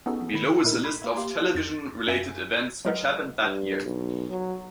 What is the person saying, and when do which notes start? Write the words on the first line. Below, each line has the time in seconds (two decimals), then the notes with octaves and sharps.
Below is a list of television-related events which happened that year.
0.06 B3 C#4 D#4 F#4 G#4 A4
0.34 D#3 B5 C#7
0.64 A#2 A3 D#4 E4 A#4
0.84 B5 C6 G#6
1.02 A#3 E5
1.17 A#3 G4 C6
1.55 F2 A6 E7
2.07 F#2 E5 G#5
2.85 F#3 G#3 A#4 B4 D#5 F#5
3.43 G2
3.83 B1
4.30 F#3